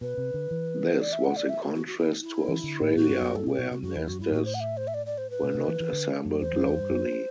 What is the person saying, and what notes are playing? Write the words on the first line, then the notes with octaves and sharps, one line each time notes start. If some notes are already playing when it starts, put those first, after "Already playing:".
This was in contrast to Australia, where Mazdas were not assembled locally.
B2 B4
C3
D3
E3
D5
E5
F#5
D5
E5
F#4
F#4
F#4
E4
E4
E3
D3
A2
A2 F#4
G2
F#2
G2 A4
B2 G4
B2 F#4
C3 F#4
F#2 F#4
E2 E4
F#2 F#4
G2 E4
A2 F#4
C5
F#5
E5
C5
E5
D5
D5
C5
B4
B2
C3
E3
E3
D3
F#2
E2 C5
F#2
E2
G2
F#2